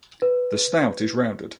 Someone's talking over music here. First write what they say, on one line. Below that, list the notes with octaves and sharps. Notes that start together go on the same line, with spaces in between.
The snout is rounded.
B4